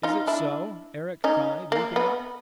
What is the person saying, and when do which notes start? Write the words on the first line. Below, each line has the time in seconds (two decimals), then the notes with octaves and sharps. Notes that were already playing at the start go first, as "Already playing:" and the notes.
"Is it so?" Eric cried, leaping up.
0.03 D#4 F4
0.27 D4 E4
1.24 C#4 D#4
1.72 A#3
1.96 B3